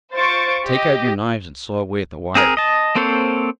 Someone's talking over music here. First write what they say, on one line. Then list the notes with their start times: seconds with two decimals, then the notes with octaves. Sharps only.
Take out your knives and saw away at the wires.
0.14 F4 C5 C#6 A6 D7
0.65 G4 D#5
2.35 C4 G#4 A#4
2.57 D#5 A5
2.95 A#3 C4 A4 C5 C#5